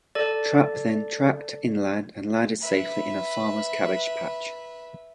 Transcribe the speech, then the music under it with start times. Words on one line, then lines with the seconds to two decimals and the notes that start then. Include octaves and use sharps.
Trappe then tracked inland, and landed safely in a farmer's cabbage patch.
0.15 A4 D5
2.61 B4 E5